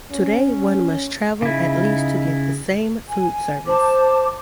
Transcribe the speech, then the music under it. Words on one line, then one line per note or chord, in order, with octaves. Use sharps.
Today one must travel at least to get the same food service.
C#4
C#3 D#4 E4
G#5
C5 A5 D6